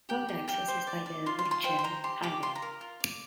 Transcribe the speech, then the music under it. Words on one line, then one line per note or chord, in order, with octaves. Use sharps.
Road access is by the Riccheri Highway.
G4 G5
G4
G4 G5
C5
D5
D5
F4 C6
C6
F4
C6
C5 G5
C6
C5 A#5
G4 C6
G4 D6
F4 C6
A#5
A#4
F4
D5